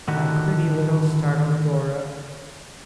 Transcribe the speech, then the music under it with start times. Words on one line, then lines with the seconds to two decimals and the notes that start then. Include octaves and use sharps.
My pretty, little, startled Dora!
0.08 A2 D3 D#3 F#4 G4